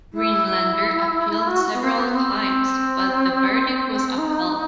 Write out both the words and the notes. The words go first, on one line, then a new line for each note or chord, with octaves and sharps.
Rhinelander appealed several times but the verdict was upheld.
E4
F#4
B3
C4
B3
C4
D#4